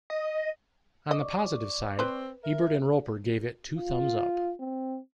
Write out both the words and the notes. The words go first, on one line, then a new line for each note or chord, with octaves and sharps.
On the positive side, Ebert and Roeper gave it "Two Thumbs Up".
D#5
D5 D#5 C#6 D6
C4 B4 C5
A#4 E5
F4
C4